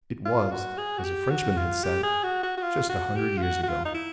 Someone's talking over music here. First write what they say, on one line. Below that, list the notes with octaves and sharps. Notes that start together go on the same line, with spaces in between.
It was, as a Frenchman had said, just a hundred years ago.
F4
F#4
G#4
F#4
G4
F#4
F4
G4
G#4
F#4
F#4
F#4
F4
F#4
G4
F4
F#4
F#4
F4
D#4
E4